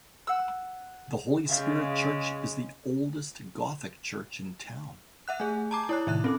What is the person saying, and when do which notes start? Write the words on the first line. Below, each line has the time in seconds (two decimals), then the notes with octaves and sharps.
The Holy Spirit Church is the oldest gothic church in town.
0.27 F#5 E6
1.49 C#3 G#3 E5 F5 G6
5.28 E5 F#5 F#6
5.40 A3 G#4 G#5
5.71 A5 A#5 D6
5.89 E4 C#5 F#6
6.07 A2 C3 D#3 D#4 E5 F#6
6.24 C4 C#4 A4 D6